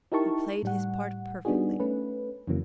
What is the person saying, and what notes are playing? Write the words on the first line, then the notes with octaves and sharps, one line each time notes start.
He played his part perfectly.
D#4 E4 G4 A#4 A5 C#6
A2 G3 F#5
G3 B3 D4 D#4 F#4 G#4
A3 C#4 B4
F2 C#3 E3 F#3 A#3